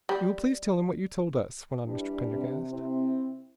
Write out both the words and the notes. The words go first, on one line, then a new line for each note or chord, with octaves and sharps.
"You will please tell him what you told us," went on Mr. Pendergast.
G3
E3 G3 D4
C3
C4 E4